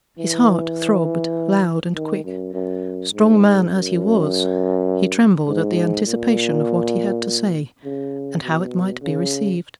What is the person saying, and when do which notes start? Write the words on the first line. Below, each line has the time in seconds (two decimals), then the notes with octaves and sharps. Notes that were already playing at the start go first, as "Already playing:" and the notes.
His heart throbbed loud and quick. Strong man as he was, he trembled at the anticipation of what he had to say, and how it might be received.
0.19 E3
1.95 D#3
2.24 F#2
2.54 F#2
3.13 G#2
3.71 F#2
5.48 G#2
6.07 A#2
7.84 C#3
8.43 B2
9.02 C#3